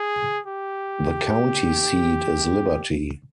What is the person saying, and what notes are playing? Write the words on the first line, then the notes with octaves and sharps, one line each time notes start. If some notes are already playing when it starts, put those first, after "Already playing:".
The county seat is Liberty.
Already playing: G#4
G4